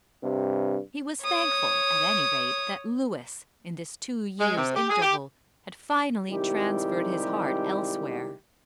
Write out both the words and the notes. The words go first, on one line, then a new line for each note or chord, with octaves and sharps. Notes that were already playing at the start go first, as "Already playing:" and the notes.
He was thankful, at any rate, that Louis in this two years' interval had finally transferred his heart elsewhere.
G2 C3
C#5 D#6
G#3
C3
G4
G#4
G4
C3 D#3 G3 G#3 E4 G4